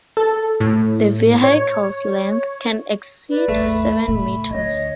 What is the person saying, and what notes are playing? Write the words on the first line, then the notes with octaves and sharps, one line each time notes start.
The vehicle's length can exceed seven meters.
A4
A2
C#5
B4 D5
A1 E2 A3
B5
A2 C3
D2 C#5 D#5